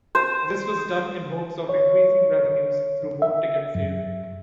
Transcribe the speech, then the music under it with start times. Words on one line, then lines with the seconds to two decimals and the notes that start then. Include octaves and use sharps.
This was done in hopes of increasing revenues through more ticket sales.
0.15 C5
1.69 C#5
3.22 E5
3.75 F#2